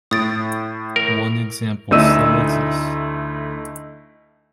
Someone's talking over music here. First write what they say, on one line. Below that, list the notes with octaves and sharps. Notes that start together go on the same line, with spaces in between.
One example still exists.
A2 D#6 A6 D7
A#4
D2 A3 D#4 E4 E6 D#7